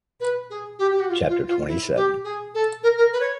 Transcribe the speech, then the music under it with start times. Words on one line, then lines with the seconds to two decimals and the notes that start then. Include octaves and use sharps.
Chapter twenty seven.
0.20 B4
0.50 G#4
0.79 G4
0.91 G4
1.00 F#4
1.09 F4
1.28 F4
1.47 F4
1.67 E4
1.96 G4
2.24 G#4
2.55 A4
2.83 A#4
2.97 A#4
3.13 B4
3.20 C#5